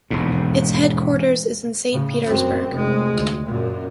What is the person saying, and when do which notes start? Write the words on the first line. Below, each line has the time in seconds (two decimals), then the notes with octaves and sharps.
Its headquarters is in Saint Petersburg.
0.10 E1 D#2 G#2
1.91 A2 C#3
2.25 F#2 C4
2.71 F1 G#3
3.14 D2
3.45 F#2 A#2